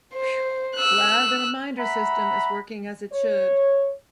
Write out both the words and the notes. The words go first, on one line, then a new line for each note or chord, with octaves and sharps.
Phew! Glad the reminder system is working as it should.
C5
E6 F#6
E5 F#5 A#5 B5
C#5